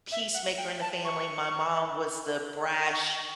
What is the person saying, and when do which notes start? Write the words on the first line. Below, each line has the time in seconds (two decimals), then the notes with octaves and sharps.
peacemaker in the family. My mom was the brash
0.11 E5
0.34 F#5
0.57 G5
0.81 A5
1.04 C#6
2.92 C#6